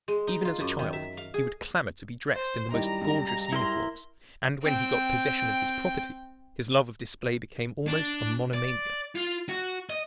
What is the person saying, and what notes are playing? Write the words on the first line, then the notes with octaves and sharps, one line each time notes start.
Even as a child he would clamor to be dressed in the most gorgeous uniforms; and when he got possession of his property his love of display became almost a monomania.
G#3
D#4
F4
F#2
D#3
E5
F5
G#4
C5
F#2 D#3 G3 D#4 E4 A#5
C#2
E4 A#4 C6
C4 G5
D4
D5
F4
F#4
D#5